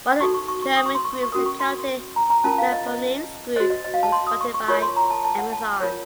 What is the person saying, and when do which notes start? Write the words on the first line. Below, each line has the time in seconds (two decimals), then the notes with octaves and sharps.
One of the German groups encountered "Melpomene"s group and was spotted by "Amazon".
0.20 D#4 F#4 A4 C#6
0.34 C#6
0.48 C#6
0.62 C#6
0.76 D#6
0.86 C#6
0.95 C6
1.05 C#6
1.23 C#6
1.32 C#4 F#4 A#4 D#6
1.46 C#6
1.60 C6
2.16 A#5
2.30 A#5
2.44 C#4 F4 A#4 A5
2.58 F5
2.72 D#5
2.86 D#5
3.56 F#4 C5 D#5
3.70 D#5
3.84 D#5
3.94 F5
4.03 A5
4.12 C6
4.27 D#6
4.41 C#6
4.54 C#6
4.68 F4 A#4 C#5 C#6
4.82 C6
4.96 A#5
5.10 A5
5.24 A5
5.38 F#5
5.53 A5
5.80 F4 A#4 C#5